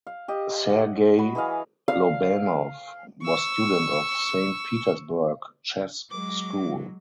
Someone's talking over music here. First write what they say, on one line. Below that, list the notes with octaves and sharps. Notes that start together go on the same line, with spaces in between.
Sergei Lobanov was student of Saint Petersburg chess school.
F5
G4 D#5
F#5
F#4 B5
E3 G#4 D#5 F5
F5
C#6 E6
F#3 G#3 D6